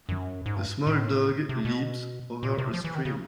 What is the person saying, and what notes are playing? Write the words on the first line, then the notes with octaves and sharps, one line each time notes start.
A small dog leaps over a stream.
F#2
G#2
G2
A2
C3
B2
A#2
C3
F3
E3
D#3
C#3